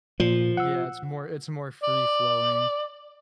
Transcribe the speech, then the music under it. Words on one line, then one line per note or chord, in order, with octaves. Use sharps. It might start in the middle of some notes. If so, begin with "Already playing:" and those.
Yeah, it's more it's more free-flowing,
A#2 F3
F#5 E6
D5